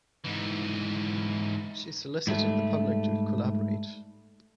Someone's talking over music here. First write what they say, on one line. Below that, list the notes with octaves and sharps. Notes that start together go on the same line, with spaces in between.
She solicited the public to collaborate.
G#2 E3
G#2 G3 A3